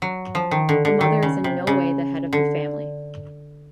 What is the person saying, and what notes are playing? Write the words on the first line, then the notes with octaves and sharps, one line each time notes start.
The mother is in no way the head of the family.
F#3
F3
D#3
D3
D3
D#3
C#3
C3
C#3
D3